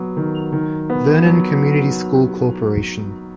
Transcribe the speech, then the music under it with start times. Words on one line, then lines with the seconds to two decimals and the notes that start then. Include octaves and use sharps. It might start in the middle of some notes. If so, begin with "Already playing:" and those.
Vernon Community School Corporation.
Already playing: F#3 B3
0.17 D#3
0.53 D#3
0.90 B3
1.26 F#3